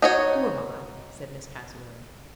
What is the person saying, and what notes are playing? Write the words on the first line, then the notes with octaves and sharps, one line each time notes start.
"Who am I?" said Miss Cassewary.
D#4 F#4 C#5